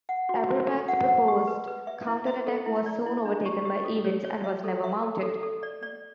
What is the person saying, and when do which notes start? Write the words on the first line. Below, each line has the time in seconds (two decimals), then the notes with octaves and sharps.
Eberbach's proposed counter-attack was soon overtaken by events, and was never mounted.
0.09 F#5
0.29 F#4
0.49 F#4
0.68 A4
0.88 F#5
1.08 F#5
1.28 G4
1.47 B4
1.68 B4
1.87 E5
2.07 E4
2.27 E5
2.47 A4
2.66 E4
2.86 D5
3.06 E4
3.25 D4
3.46 G4
3.65 G4
3.85 A4
4.05 C#5
4.25 C#5
4.44 E5
4.64 A4
4.84 E5
5.04 A4
5.23 A4
5.43 A4
5.63 D5
5.83 D5